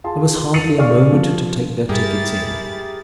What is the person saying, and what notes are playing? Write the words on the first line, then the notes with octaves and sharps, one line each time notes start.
There was hardly a moment to take their tickets in.
F4 G#4 A5 C6
A6 C7 C#7 D#7 F7 F#7
G#4 A#4 D5 F5 C#6 F6
G2 F3
G2 E4 G4 G#4 A#4 A6